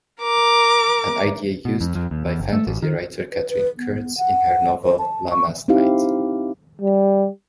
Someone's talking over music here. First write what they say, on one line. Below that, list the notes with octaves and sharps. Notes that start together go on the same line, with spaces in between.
An idea used by fantasy writer Katherine Kurtz' in her novel "Lammas Night".
A#4 D6
B2
F2
F2
D#2
E2
F#1
A3
A1
D#3
B4
B4
B3
F#5
C5
A5
C#6
C4 D#4 E4 G4 F5
G3